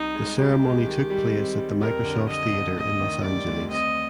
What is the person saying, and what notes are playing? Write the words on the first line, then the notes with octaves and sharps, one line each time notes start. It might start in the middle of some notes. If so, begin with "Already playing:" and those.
The ceremony took place at the Microsoft Theater in Los Angeles.
Already playing: C2 D#4
G#3
C2 G4
G#3
D#3
G3
C4
G3
F2 A#4
D3
F2 D#5
D3
D2 D#5
D#3
G3 D5
D2
C4 D#5